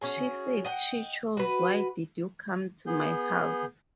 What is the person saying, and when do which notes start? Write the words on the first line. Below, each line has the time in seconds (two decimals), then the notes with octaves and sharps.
She said she chose Why Did You Come to My House?
0.01 C#4 F#4 G#4
0.65 D#5 F#5 G5
1.37 F#4 B4
2.87 B3 G#4 G6